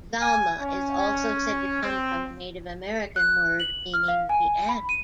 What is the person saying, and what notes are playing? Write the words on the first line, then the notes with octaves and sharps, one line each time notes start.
Zalma is also said to come from a Native American word meaning the end.
G#5
C#4
C4
F#6
F#7
F6
F5
G#5
B5
D#7